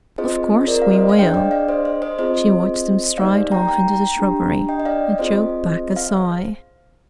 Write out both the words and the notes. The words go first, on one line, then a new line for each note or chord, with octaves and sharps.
"Of course we will." She watched them stride off into the shrubbery, and choked back a sigh.
C4 F4 G#4 C5 D#5
C5
A#4 D5
F5
C5 D#5
F5
D4 G#4 D#5 G5
D#5
D5 F5
D5 F5
C5 D#5
C5
C5 D#5
C4 F4 G#4 C5 D#5
A#3 D#4 G4 D5 F5
G5 A#5
G5 A#5
D4 G4
D#5 G5
D#5
D5 F5
C4 F4 G#4 C5 D#5
F5